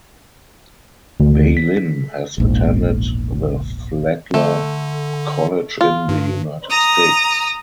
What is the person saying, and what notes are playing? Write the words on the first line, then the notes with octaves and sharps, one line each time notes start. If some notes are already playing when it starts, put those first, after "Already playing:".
Beilin has attended the Flagler College in the United States.
D2
B6
E1 A#1 G#2
D3 A3
F4
G2
A#5 D#6